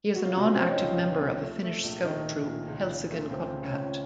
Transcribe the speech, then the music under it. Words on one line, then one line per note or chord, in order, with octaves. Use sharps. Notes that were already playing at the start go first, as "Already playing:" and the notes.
He is a non-active member of a Finnish scout troop Helsingin Kotkat.
F#3 F#4
F4
C3 F#3 F#4
F#3 C4
C#4
D#4
C#2 F3 F4
C#2
C3
A3
A3
A#1
D#3 A3 D#4
A#1
A#2
C#2
C#3
A3
C#2 C4
C#3
C#4
C#2